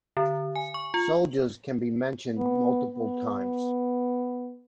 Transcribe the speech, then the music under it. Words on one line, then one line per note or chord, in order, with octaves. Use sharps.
Soldiers can be mentioned multiple times.
D3
G#5
C#6
F4
B3
B3